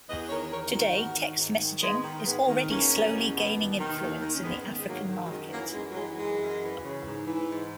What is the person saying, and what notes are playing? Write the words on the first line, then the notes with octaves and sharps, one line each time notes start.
Today, text messaging is already slowly gaining influence in the African market.
E2 B4 D#5
D#3 A#4 C#5
E2 A#4 C#5
D#3 D#4 F#4
G#2 F#4 A#4
D#3
G#2
D#3
G#2 G#3 B3
D#3
G#2 G#3 B3
D#3
E2 A#3 C#4
B2
E2
B2
D#2
D#3
D#2
D#3
C#4
G#2 G#3 B3
D#3
G#3
G#2 F#3 A#3
D#3
F#3
F#2 G#3
E3 F#3 A#3
F#2 G#3
F#3
E3 G#3
F#2 G#3
F#2
E3
C#3
G#2
E3
G#2